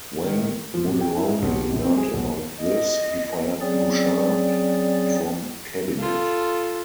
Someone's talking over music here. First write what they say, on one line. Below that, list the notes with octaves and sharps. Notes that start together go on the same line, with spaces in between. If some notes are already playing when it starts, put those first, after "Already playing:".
When Mulroney learned about this, he fired Bouchard from cabinet.
D#3
F3
C3
G5
E4
G#2
B1
G4
A#1
C4
G#4
B1
D#5
F#3 C4 C#4 G#4 D5
F4 A4